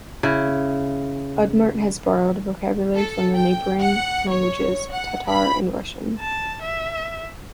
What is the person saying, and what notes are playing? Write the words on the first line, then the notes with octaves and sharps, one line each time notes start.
Udmurt has borrowed vocabulary from the neighboring languages Tatar and Russian.
C#3 E4
A4
G5
F#5
C#5
F#5
B5
A5
E5